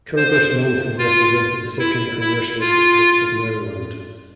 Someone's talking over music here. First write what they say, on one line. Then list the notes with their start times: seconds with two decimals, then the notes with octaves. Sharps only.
Congressman who represented the second Congressional district of Maryland.
0.17 C5
0.98 F4
1.79 E4
2.21 E4
2.60 F4